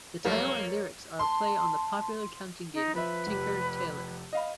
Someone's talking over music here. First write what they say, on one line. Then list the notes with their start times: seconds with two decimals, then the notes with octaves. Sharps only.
The title and lyrics are a play on the popular counting game Tinker, Tailor.
0.25 F2 G3 A3 A#3 C#5
1.19 A5 C6
2.73 D#4
2.95 F3 B4 E5
3.27 F1 G4
4.33 D#5 F5 B5